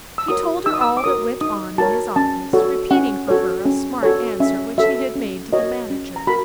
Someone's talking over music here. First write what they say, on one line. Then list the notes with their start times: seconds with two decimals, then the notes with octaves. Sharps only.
He told her all that went on in his office, repeating for her a smart answer which he had made to the manager.
0.18 E6
0.28 F#4 A#4 C#5 D#6
0.66 D#4 E6
0.74 D#6
0.81 E6
0.97 D6
1.04 F#4 A#4 C#5 D#6
1.41 D#4 D#6
1.78 F#4 A#4 C#5 A5
2.16 C#4 A5
2.53 F#4 A4 C#5
2.91 C#4 F#5
3.28 F#4 A4 C#5
3.65 C#4
4.03 F#4 A4 C#5
4.40 C#4 E5
4.78 F#4 A4 C#5 E5
5.15 C#4
5.52 F#4 A#4 C#5 D#5
5.90 C#4
6.16 A#5
6.27 F#4 A#4 B5